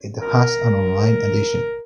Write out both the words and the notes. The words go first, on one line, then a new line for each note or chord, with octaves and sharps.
It has an online edition.
A#4